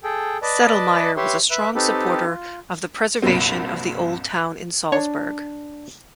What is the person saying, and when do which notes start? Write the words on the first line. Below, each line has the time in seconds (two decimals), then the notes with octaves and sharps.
Sedlmayr was a strong supporter of the preservation of the old town in Salzburg.
0.04 G#4 A4 G5
0.42 B4 D5 D#5 A5
1.17 G4 B4 C#5 E5 C6
1.50 B4 E5 F#6
1.75 C4 D#4 G4 A4 B4
2.25 F4
3.22 C2 G2 A#2 F#3 C4
4.92 D4 C#5